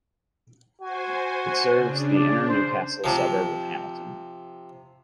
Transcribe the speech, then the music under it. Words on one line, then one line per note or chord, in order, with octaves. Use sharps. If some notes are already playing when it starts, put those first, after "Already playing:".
It serves the inner Newcastle suburb of Hamilton.
F#4 C5 G#5
C#3 D4
D5
C5
C3 F3